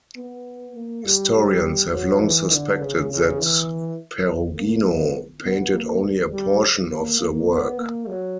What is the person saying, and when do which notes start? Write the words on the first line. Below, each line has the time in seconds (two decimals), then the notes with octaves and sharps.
Historians have long suspected that Perugino painted only a portion of the work.
0.17 B3
0.75 A#3
1.04 G3
1.34 G3
1.92 F#3
2.21 E3
2.51 D3
2.80 C#3
3.10 C#3
3.39 E3
4.56 A#3
4.86 B3
5.44 B3
5.74 A#3
6.32 G3
6.91 A#3
7.20 A#3
7.50 B3
7.79 A#3
8.08 F#3